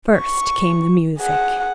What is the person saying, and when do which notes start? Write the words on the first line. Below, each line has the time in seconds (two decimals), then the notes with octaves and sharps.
First came the music.
0.18 C#6
1.18 G#4 F#5